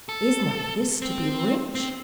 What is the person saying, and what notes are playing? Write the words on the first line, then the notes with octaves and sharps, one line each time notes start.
Is not this to be rich?
A4
C4
C4